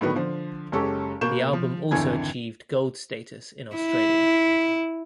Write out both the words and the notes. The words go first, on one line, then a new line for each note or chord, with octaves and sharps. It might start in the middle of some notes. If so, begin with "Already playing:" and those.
The album also achieved gold status in Australia.
A2 D3 D#3 F#3 B3
D3 F3 C5
F#1 G#3 C#4 G4 A4 C#6
B2 A#3 C#6 G6 E7
F3
G#1 F2 D3 E3 G#5 G#6
E4